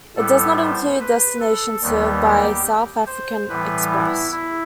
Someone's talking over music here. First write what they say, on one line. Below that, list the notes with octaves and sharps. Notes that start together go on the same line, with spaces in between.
It does not include destinations served by South African Express.
A2 G3 B3 A4
C5
B4
A4
D#2 D#3 G3 B3
G4
C5
A2 E3 G3 B3 B4
E4
E4